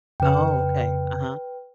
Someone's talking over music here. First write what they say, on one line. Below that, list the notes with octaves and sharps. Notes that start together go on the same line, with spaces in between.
Oh, okay, uh-huh.
F2 C#3 B4 G5